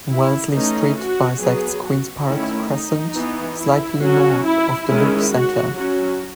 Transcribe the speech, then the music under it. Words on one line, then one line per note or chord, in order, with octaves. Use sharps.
Wellesley Street bisects Queen's Park Crescent slightly north of the loop's centre.
E4
E3 A3 C#4 D#4
F#4
F#3 B3 G#4
F#4
D#3 A3 C#4 E4
D#4
E3 B3
E4
F#3 C#4 F#4
E4
D#3 G#3 C#4 E4
F#4
F#3 C#4 F#4